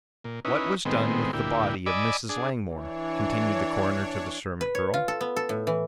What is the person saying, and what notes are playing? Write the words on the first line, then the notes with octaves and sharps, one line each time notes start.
"What was done with the body of Mrs. Langmore?" continued the coroner to the servant girl.
A#2
C#4 D#4 E4 B4
A2 D#3 G#3 B3 C4
D2 A#2 E4 G4
D5 D#5 G#5 B5 D6 E6
D4 G#4
E3 D4 C#5
B4
C#5
F4
A4
B3
A4
A2
E3